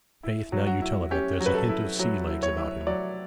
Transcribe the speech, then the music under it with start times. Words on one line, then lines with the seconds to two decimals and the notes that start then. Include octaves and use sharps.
'Faith, now you tell of it, there's a hint of sea legs about him.
0.23 E4
0.52 F#3
0.67 F#4
0.82 E4
1.11 C#4 G4
1.40 F#3
1.46 B4
1.55 A4
1.69 E4
1.99 F#3
2.28 E4
2.43 C#5
2.57 E4
2.87 F#3 D5